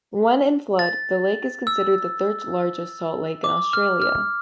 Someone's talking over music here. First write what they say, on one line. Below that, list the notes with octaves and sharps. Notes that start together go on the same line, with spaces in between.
When in flood, the lake is considered the third largest salt lake in Australia.
A6
E6
D6
F6
F6